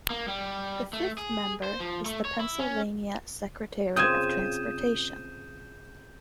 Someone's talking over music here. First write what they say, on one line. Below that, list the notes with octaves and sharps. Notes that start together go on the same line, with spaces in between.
The fifth member is the Pennsylvania Secretary of Transportation.
A#3
G3
A3
G#4
C5
F3
A3
C#5
E4
C#4
C#3 C4 F4 D#6 G6 G#6 D#7 E7